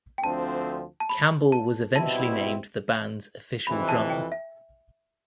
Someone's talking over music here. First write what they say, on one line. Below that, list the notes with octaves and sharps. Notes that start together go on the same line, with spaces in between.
Campbell was eventually named the band's official drummer.
G5
D2 D3 F3 C4 A5
A5
B5
A5
B2 G3 C4 E4 A5
F2 C3 E3 B5
A5
G5
E5